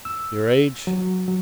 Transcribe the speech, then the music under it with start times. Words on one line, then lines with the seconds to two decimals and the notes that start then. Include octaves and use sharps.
"Your age?"
0.05 E6
0.87 F#3
1.28 F#3